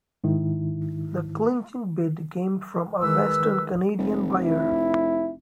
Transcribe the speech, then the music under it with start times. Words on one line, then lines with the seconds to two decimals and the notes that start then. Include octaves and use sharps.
The clinching bid came from a western Canadian buyer.
0.24 G#2 D#3 E4
3.01 D#3 G#3 B4 E6
3.98 F1
4.44 E4